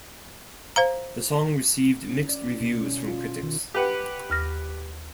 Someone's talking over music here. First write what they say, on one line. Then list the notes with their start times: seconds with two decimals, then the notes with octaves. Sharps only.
The song received mixed reviews from critics.
0.76 C5 F5 A#5
2.07 C#4
2.29 D5
2.46 E4
2.61 B2
2.81 C#4
3.07 F4
3.43 D#3
3.74 G4 B4 F#5
4.30 D#2 F6 A#6